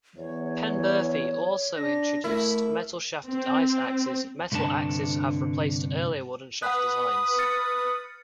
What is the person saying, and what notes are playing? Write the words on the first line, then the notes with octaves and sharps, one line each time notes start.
Penberthy also introduced metal-shafted ice axes; metal axes have replaced earlier wooden-shaft designs.
E2 C#5
D4 A#6
A3 E4 A#4
C4
C2 G2 D3 D4 A5
B4 F#5 D#6 F#6
F6 A6 C#7